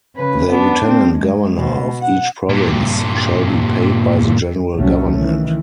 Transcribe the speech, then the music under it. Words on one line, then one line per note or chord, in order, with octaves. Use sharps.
The Lieutenant Governor of each Province shall be paid by the General Government.
C#3 B4
B3 D4
C4
G#3
B2
F#5
G2 A#2
C2 A#2 F#3 A3 C#4
D#3 E3